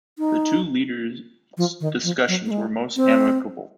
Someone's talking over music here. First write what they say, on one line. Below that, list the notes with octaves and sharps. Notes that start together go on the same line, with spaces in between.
The two leaders' discussions were most amicable.
D#4
F3
D#3
F3
F#3
A#3
G#3
C4